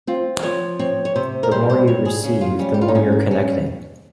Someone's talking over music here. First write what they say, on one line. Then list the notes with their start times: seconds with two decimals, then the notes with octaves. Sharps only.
The more you receive, the more you're connecting.
0.07 C4 F4
0.43 F3 C#5
0.79 C4 C#5
1.05 C#5
1.16 C3 C5
1.43 A#4
1.51 G3 C5
1.70 C5
1.88 G3 C#5
2.05 G#4
2.24 C#3 C#4
2.41 F4
2.59 G3 C#4
2.74 G4
2.81 F4
2.88 D#4
2.95 G#2 C#4
3.31 C#4